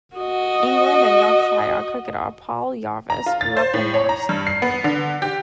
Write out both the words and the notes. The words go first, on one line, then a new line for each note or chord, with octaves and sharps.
England and Yorkshire cricketer Paul Jarvis grew up in Marske.
F#4 D#5
A#5
F4
A6
C5
A2
C#5
A#5
G2
C7
B3
D3
G4